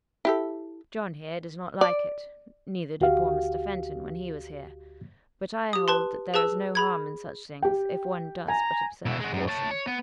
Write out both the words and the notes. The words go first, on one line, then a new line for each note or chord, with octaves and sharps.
"John here does not like it; neither did poor Mr. Fenton when he was here; but I hold there is no harm in such things if one does but observe caution."
E4 G4 A4
D5
D2 F#4 G4 F5
G4 D#6
B4 A5 C6
G#4 B4 A5 E6
G#4 B5 G#6
G4 G5
G#5 A#5
B2 E4
G#3 F#4
F#2
C#5 A5
C#5
B3